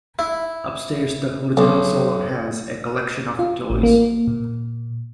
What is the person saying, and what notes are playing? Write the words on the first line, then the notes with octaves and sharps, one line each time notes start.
Upstairs the original solar has a collection of toys.
E4
B1
F4
A1
A#3
A#2